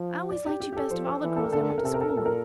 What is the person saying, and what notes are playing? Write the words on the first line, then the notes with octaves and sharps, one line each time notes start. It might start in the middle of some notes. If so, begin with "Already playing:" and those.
I always liked you best of all the girls I went to school with.
Already playing: F3
D5
G4
G4
G4
A4
F3 C5
C5
E3
A4
A#4
D3 A4
A#4
A4
A#4
C3 A4
A#4
A4
A#2 A#4
A4
A#4